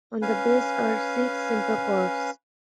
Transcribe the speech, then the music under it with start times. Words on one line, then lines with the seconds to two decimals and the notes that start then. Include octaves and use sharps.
On the base are six simple cords.
0.22 C#4 B4 F5 G#5